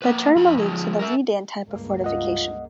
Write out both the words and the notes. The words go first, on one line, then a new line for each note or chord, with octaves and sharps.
The term alludes to the "Redan" type of fortification.
A#3 B4
F2 B5
F3 G#3
A#4 E5
C#2 G2 A#3
F4 D#5 F#5